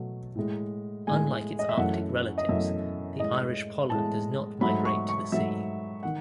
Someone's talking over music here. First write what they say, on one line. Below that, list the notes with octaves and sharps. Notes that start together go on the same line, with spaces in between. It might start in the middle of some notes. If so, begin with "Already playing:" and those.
Unlike its Arctic relatives, the Irish pollan does not migrate to the sea.
Already playing: B2 F#3 A3
A2 G#3
A2 G#3 G#5
D#5
E5
F#2 E3 A3 F#5
D#5
F#2 E3 A3 E5
A2 G#3 D#5
A2 G#3 A5
G#2 F#3 A3 B5
C#6
C#6
G#2 F#3 A3 E5
D#3 F#5